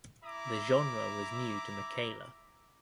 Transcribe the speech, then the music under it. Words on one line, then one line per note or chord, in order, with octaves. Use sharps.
The genre was new to Mikayla.
E4 E5 A#5 D6